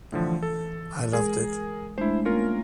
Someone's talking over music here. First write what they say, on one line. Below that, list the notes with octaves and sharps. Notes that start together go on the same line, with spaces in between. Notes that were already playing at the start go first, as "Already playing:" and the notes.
I loved it.
A2 D3 E3 F3
A4
G#3 G#4 A#4 G#5
G#3 A3 D4 E4 C5
A3 A#3 C#4 F4 A#4